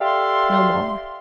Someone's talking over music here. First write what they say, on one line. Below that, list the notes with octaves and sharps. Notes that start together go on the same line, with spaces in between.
"No more."
G4 A4 D5 E5 F5 C6